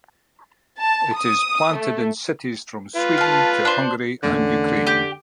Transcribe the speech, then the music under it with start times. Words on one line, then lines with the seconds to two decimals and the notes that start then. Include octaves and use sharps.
It is planted in cities from Sweden to Hungary and Ukraine.
0.80 A5
1.16 D#6
1.77 A3
2.96 F4 B4
3.18 F5 A5
3.65 D4 C5
4.23 E2 D3 A3 C#4
4.87 G4